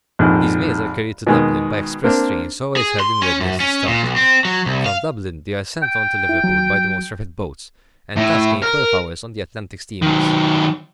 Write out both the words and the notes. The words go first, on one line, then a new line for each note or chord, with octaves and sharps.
These mails are carried to Dublin by express trains always held in readiness to start; from Dublin they are sent on to Liverpool by the most rapid boats, and thus gain twelve hours on the Atlantic steamers.
A#1 F2 G#2
B2 D#3 G#3
A#3 C4 D4
G#4
C6
C#4
F#2
C#4
A#2
B1
C4
F#3
C2
F5
G5
E4
F#3
A2
A#4
D#3 F#3